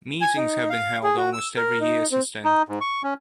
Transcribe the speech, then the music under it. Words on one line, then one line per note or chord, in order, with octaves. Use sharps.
Meetings have been held almost every year since then.
G#5
D#4
F5
G#4
F#4
E6
A#4
D#4
C4
D#4
G#2
C#6
C#4